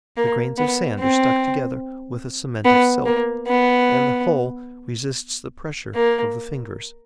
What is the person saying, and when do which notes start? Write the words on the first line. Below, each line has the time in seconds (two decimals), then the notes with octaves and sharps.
The grains of sand are stuck together with a cement of silk; and the whole resists the pressure of the fingers.
0.17 A#3
0.58 B3
0.99 C4
2.65 B3
3.06 A#3
3.47 B3
5.95 A#3